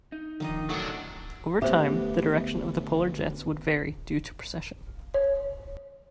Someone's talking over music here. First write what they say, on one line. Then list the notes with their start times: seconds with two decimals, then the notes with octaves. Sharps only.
Over time, the direction of the polar jets would vary due to precession.
0.12 D#4
0.40 D#3 F3 D4 D#4 D#5
0.69 A2 C3 F#3 D4 A4 F#5 D6
1.62 D2 A3 B3 C#4 G4 C5 E5
5.14 C#5